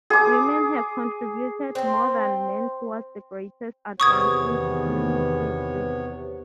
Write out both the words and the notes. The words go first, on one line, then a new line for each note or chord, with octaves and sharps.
Women have contributed more than men towards the greatest advance in economic history.
G#4 D6
C4 C5
E2 C3 D#3 B3 C#5 C#6 D#6 G#6